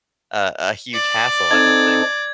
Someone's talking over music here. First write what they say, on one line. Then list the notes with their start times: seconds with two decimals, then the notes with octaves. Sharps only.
a a huge hassle, I don't think.
0.94 D5
1.51 C4 D#4 A4 G#6